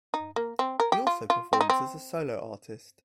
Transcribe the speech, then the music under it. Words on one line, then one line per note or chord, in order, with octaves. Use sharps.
He also performs as a solo artist.
D#4
A#3
C4
A#4
G4
F4
F4
C4
D#4
C4